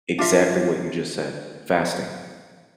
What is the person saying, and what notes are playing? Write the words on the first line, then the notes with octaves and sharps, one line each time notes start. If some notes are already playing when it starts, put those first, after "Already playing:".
Exactly what you just said: fasting.
D4 F4 E5